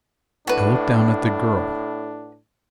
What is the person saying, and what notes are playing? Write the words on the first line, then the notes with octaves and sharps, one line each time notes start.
I looked down at the girl.
A2 D4 F#4 B4